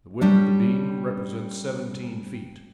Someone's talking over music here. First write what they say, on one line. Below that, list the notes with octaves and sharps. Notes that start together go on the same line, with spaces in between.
The width of the beam represents seventeen feet.
G3 C#4 D4